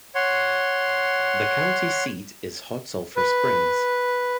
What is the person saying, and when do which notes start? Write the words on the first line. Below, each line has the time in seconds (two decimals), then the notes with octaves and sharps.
The county seat is Hot Sulphur Springs.
0.15 C#5 F#5 C6
3.16 B4